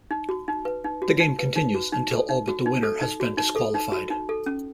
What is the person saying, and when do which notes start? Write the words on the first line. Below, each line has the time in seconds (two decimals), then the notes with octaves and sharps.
The game continues until all but the winner has been disqualified.
0.11 D#4
0.29 F#4
0.48 D#4
0.65 B4
0.84 D#4
1.02 F#4
1.20 D#4
1.39 B4
1.56 D#4
1.74 F#4
1.93 D#4
2.11 A4
2.29 D#4
2.48 F#4
2.66 D#4
2.83 A4
3.01 D#4
3.20 F#4
3.38 D#4
3.56 A4
3.74 D#4
3.92 F#4
4.10 D#4
4.29 A4
4.46 C#4